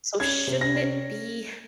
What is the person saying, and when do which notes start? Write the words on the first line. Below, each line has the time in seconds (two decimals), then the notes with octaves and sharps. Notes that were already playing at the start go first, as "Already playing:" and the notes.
So shouldn't it be
0.20 C#4 G#6
0.47 C3
0.61 A#6
0.75 C#4